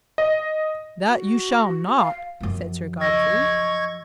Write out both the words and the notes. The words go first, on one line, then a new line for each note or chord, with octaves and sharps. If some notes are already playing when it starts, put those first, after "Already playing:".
"That you shall not," said Sir Godfrey.
D#5
F#4
F5
F#2 F3
D#5 C#6 E6 G#6 A#6